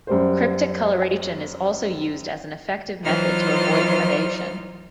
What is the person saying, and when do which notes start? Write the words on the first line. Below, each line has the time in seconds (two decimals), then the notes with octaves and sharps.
Cryptic coloration is also used as an effective method to avoid predation.
0.07 F#2 G3 C5
3.04 E3 F#3 D#4 F4 C5 F6